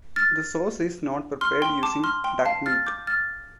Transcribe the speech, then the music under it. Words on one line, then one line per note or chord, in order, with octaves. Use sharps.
The sauce is not prepared using duck meat.
F6 A6
C6 F6
G5 C6
A5 D6
C6 F6
G5 C6
F5 A5
F6 A6
D6 G6
F6 A6